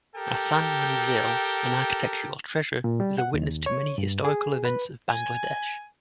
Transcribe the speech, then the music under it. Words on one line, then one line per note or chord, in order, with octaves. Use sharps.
Ahsan Manzil, an architectural treasure, is a witness to many historical events of Bangladesh.
G4 A4 A#4 G5
A#2
G3
F#5
D#2
C#5
G2
G#4
B4
G#5